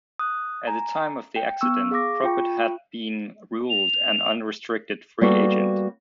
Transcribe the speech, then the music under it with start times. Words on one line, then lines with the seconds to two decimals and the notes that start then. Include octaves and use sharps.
At the time of the accident, Probert had been ruled an unrestricted free agent.
0.19 D#6 F#6
0.67 G#5 A#5
1.36 G5
1.61 B3 C#6 E6
1.91 G#4 F5 C#6 D6 A#6
2.24 F4 G5 C#6
3.69 F7
5.21 G3 A#3 B3 F#4 A4